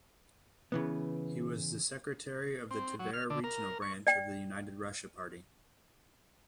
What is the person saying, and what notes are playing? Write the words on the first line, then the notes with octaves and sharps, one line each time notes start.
He was the secretary of the Tver regional branch of the United Russia party.
C#3 E3 B3
C4
F#3
F6
D3
A#4
C#6
D5 G5